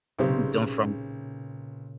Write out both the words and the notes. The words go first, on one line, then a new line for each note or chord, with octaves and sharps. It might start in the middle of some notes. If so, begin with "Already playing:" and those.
done from
B1 A#2 C#3 C4 G4